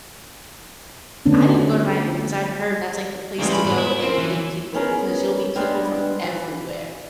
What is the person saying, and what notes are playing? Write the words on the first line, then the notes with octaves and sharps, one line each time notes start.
I need to go to Miami because I've heard that's, like, the place to go and meet people because you'll meet people from everywhere.
D3 A3 B3 C#4 D4
E3 G3 G#3 C#4 G#4
B5
G#2 B3
E4
A#3 C4 C#4
E3
B3 C#4 G#4 A#4
G3 G#3 B3 D4
E3